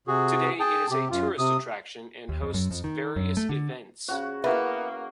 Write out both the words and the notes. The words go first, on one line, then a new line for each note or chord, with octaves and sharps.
Today, it is a tourist attraction and hosts various events.
C3 F#4 G#4
G#4 G5 A5
C3 G4
F#2 F4
C3 D#6
D#2
F2
F#2
F2
D#3
F#2
A3
D3
C#3 F#4 C5
A#3 B3 E4 F#4 B4 E5